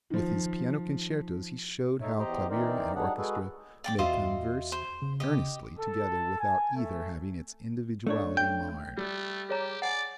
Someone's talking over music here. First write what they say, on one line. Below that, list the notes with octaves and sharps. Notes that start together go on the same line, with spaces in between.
With his piano concertos he showed how clavier and orchestra may converse earnestly together without either having its individuality marred.
D#3 F3
A3 D#4 C#5 E5
E2 G4 C5 D#5 G5 A#5
E3 C4 D#4 A#4 C5 D5
F#3 G3 D4 D#4 G#4 F#5
G#3 F#4 G#4 A4 B4
D5 G5 D6
E2 F4 F#4 C5 D#5 E5
C5
C#3
G4 D#5
A4
G#5
A3
A3 D4 C#5
G5
G3 A3
G4 G#4 C#5 A#5
D5 F#5 G#5